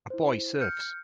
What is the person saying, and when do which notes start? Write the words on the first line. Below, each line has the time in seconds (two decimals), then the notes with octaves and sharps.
A boy surfs.
0.10 E4 C5
0.61 F6 G6 C#7